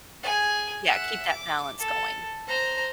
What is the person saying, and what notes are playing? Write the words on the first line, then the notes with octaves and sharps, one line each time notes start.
yeah, keep that balance going,
G#4 G#5
E5 F#5
D6
A4
C5 A#5